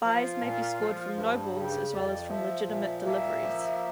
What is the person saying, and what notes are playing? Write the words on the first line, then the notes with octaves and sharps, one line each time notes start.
Byes may be scored from no balls as well as from legitimate deliveries.
F3 F4
A#2
F3
G2
C#3 G4
F2 D5
F3 E5
A#2 E5
A#3 E5
F3